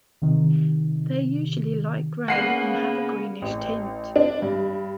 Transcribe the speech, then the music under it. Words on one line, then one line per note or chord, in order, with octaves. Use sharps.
They are usually light gray and have a greenish tint.
C3 D#3
C#3 A#3 B3 F#5 C7
A1
D4
G2